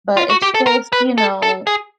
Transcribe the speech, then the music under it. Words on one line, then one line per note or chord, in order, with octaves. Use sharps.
But it's just, you know,
F4
F#4
G4
A4
A#4
B4
A4
A4
G#4